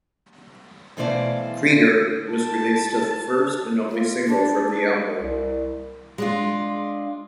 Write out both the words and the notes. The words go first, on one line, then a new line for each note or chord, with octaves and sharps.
"Krieger" was released as the first and only single from the album.
B2 E3 A3 C5 D5 F5
A5
F4
D4
C2
G#3 D4 F4